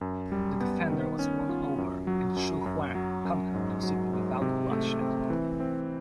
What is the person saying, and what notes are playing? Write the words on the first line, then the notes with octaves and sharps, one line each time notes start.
The defender was won over and Xu Huang conquered the city without bloodshed.
F#2
G3
B3
D#3
C#4
F4
F#2
F#3
F#2
F#2
F#3
F#2
G#2
F#3
G#2
C3
A3
C4
E3
C4